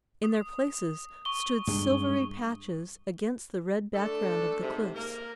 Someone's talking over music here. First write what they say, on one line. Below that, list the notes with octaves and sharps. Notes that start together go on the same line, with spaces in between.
In their places stood silvery patches against the red background of the cliffs.
D#6
C#6 G7
G2 G#3
A3 D4 A4
G#2 C3
A#3 A#4